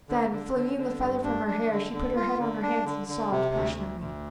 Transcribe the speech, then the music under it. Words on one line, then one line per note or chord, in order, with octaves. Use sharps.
Then, flinging the feather from her hair, she put her head on her hands, and sobbed passionately.
D3
D3
D3
D3
G2
D4
D4
D3
D3
F4
D3
D4
D3
D3
C3
D2
D2
D2